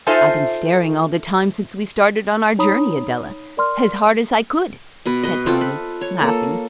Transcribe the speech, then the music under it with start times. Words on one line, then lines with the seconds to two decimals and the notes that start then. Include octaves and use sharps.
"I've been staring all the time since we started on our journey, Adela, as hard as I could," said Polly, laughing.
0.07 D#4 F4 A4 C5 E5 G#5
2.58 D#4 C#5 A#5 B5 D#6
3.57 A#4 D5 C6 F6
5.06 B2 B4
5.23 B4 D#5
5.46 C4 F4 A4
5.61 B4
6.01 C#5
6.21 A#3 A4